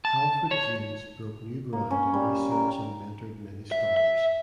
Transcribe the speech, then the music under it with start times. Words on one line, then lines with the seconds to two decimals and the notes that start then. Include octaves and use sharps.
Alfred James broke new ground in research and mentored many Scholars.
0.05 A5
0.51 C#5
1.73 A#3
1.91 C#4
2.14 G3
2.51 A#4
3.72 E5
3.97 E5